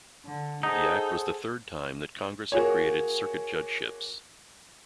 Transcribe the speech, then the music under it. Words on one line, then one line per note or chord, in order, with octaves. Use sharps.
The act was the third time that Congress had created circuit judge-ships.
D3
D#4 G#4 A4 C5 F#5 D#6
A#3 F#4 G#4 C#5